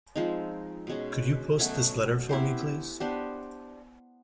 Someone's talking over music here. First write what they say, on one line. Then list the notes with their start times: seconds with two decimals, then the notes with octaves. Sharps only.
Could you post this letter for me please?
0.16 F3 G#3 C4 D#4
0.87 B2 G#3 C#4
1.59 B2 F#3 A3 C#4
2.29 B3 E4 G4 C5
3.00 B3 D4 G4 C5